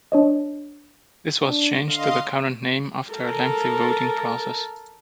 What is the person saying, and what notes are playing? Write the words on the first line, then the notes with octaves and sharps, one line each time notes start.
This was changed to the current name after a lengthy voting process.
D4 C#5 D#5
D4
D3 D#5 F5 C6
A4 A#4